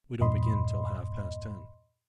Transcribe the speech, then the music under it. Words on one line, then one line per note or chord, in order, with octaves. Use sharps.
We don't begin till half past ten.'
E2 G2 A#2 D#5 B5 C6